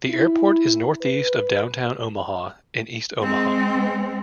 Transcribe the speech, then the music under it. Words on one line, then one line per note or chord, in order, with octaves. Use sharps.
The airport is northeast of downtown Omaha in east Omaha.
E4
B4
G#3 C4